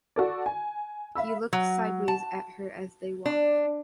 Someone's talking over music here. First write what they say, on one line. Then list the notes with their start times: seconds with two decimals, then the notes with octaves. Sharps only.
He looked sideways at her as they walked.
0.16 F#4 A4 D5
0.46 G#5
1.15 E5 F5 B5 E6
1.53 F#3
2.08 A5
3.26 D4